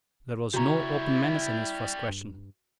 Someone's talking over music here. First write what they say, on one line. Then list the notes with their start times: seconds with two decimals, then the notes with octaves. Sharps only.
There was no open menace in his first question.
0.54 C#3 G3 E4 F#4 C#5 A#5
2.09 G2